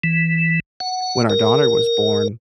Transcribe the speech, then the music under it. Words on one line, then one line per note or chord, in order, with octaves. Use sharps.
when our daughter was born
E3
F#5
A#4